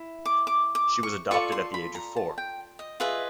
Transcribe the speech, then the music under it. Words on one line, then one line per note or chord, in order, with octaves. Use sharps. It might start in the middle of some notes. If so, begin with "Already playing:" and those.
She was adopted at the age of four.
Already playing: E4
D6
D6
D6
C#6
F4 A4 D5 C#6
C6
B5
A#5
A5
G5
D#5
F4 G#4 B4 D#5 E5